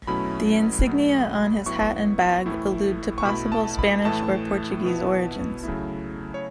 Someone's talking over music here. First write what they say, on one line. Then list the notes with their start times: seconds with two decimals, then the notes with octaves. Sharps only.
The insignia on his hat and bag allude to possible Spanish or Portuguese origins.
0.07 B2 F#3 A3 C#4 E4 B5
0.87 B2 F#3 A3
1.66 A2 F#3 B3 E4 C#6
2.46 A2 E3 A3 E4
3.18 C#6
3.25 B2 A3 E4 B5
3.52 A5
3.79 B5
4.05 A2 E3 A3 E4 A5
4.84 B2 B3 E4
5.63 C#3 F#3 A3 E4
6.34 C#5